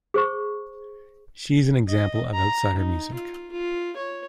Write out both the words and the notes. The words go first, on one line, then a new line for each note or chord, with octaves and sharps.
She is an example of outsider music.
G#4 C5 C#6
D#5
A#5
D#4
F4
F4
C#5